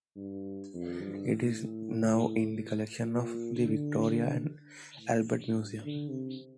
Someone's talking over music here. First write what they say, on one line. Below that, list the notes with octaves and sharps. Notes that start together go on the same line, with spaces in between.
It is now in the collection of the Victoria and Albert Museum.
G2
F2
G2
A2
A#2
D3
A2
G2
D3
C3